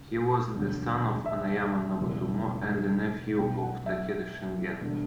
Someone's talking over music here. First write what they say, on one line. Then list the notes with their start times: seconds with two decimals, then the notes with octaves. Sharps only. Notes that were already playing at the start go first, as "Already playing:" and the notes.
He was the son of Anayama Nobutomo and a nephew of Takeda Shingen.
Already playing: C#3
0.55 E1 D2 D3 F#3
1.26 E5
1.97 E1 E2 C#3 G3
3.39 B1 B2 G3 G5
3.63 F#5
3.86 E5
4.81 E1 D3 G3